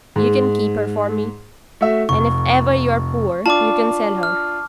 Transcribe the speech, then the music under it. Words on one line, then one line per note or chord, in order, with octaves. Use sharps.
You can keep her for me, and if ever you're poor you can sell her.
G#2
A3 F#4 E5
F1 C#6
D4 F4 A5 D6
F6